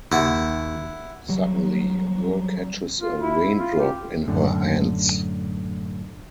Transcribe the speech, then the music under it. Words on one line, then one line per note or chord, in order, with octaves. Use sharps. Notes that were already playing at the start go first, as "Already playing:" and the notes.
Suddenly, a girl catches a raindrop in her hands.
D#2 E4 F#5
F#3 G3
F4
E4
F4
G4
F#2 A2 D3